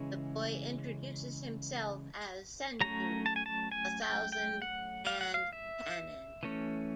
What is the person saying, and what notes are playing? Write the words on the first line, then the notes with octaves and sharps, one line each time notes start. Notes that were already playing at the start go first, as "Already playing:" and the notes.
The boy introduces himself as Senju, the Thousand-Hand Kannon.
Already playing: C#3 E3 G#3 C#4
F#3 A3 C#4 A#5
A5
G#5
A5
G#5
G5
G5
F#5
F5
F#5
F5
E5
E3 A3 C#4